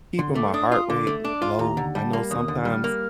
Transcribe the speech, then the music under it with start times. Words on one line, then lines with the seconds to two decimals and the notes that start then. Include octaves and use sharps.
keeping my heart rate l low. I know sometimes
0.18 D3 C6
0.35 A3 D6
0.54 D4 D#6
0.72 F4 D#6
0.89 D3 D6
1.07 A3
1.24 D4 D6
1.42 F4
1.59 D#2 A#5
1.77 D3
1.95 G3 A5
2.13 A#3
2.31 D#2 D#6
2.48 D3
2.65 G3 F6
2.84 A#3